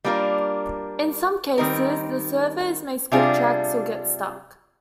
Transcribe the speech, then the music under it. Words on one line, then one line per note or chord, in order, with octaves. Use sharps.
In some cases, the servos may skip tracks or get stuck.
G3 A#3 D4 F4 A#4
D#3 G3 C4 D#4 A#4
C3 G3 D4 F4 G#4